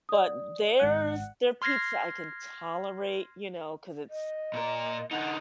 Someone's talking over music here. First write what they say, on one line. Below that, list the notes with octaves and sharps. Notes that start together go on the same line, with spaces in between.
but there's their pizza I can tolerate, you know, 'cause it's,
D5 D#6
G#1 G#2 F#5
C6 F6 G#6 A#6 C7
D#5
A#2 A#4
D3 D#4 F#5